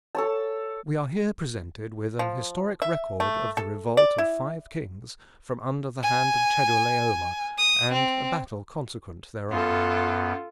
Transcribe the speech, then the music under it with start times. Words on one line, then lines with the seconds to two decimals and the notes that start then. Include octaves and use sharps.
We are here presented with an historic record of the revolt of five kings from under the hand of Chedorlaomer, and a battle consequent thereon.
0.15 A4 C#5 A5
2.19 F3
2.82 E5
3.20 A3
3.57 A4
3.97 D5
4.18 E4
6.03 G#5
7.58 D#6
7.92 C4
9.51 F#2 B3 F4 A4